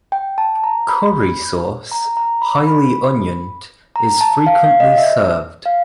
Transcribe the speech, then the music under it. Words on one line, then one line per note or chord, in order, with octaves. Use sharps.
Curry sauce, highly onioned, is frequently served.
G5
A5
A#5
B5
A#5
A#5
B5
B5
A#5
A5
F5
F5
D#5
E5
F5